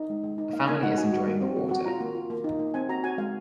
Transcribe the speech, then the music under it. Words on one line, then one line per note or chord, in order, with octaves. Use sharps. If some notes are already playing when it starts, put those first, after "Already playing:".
A family is enjoying the water.
Already playing: D#4
G#3
G#3
D#4
A#3 F5
A#3 G#5
D#4 F#5
F#4 G#5
F#4
A#3
C4
F#4
F#4
F4 A#5
A#3
F4
A#3
D#4
A#3
C4 G#5
F#4 A#5
F#4 G#5
G#3 F5